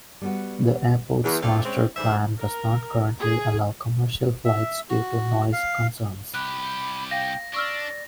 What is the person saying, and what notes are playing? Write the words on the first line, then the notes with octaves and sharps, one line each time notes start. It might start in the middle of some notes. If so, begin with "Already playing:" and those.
The airport's master plan does not currently allow commercial flights due to noise concerns.
G3 B3 F#4
E2
A#2 A3 C4 D4 E4 F4
G#3 C4 C#4
G#2 D3 E3 G3 C5 E5
A#4
G#4
E5
F#4
F5
C2 G4 B5 F#6
F5 G5 A#6
D4 D5 C#6 E6 F6